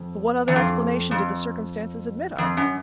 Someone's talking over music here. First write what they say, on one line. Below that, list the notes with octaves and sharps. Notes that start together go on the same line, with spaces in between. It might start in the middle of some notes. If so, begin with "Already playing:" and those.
But what other explanation did the circumstances admit of?
Already playing: F2
E2
F2
F2
F2
F#2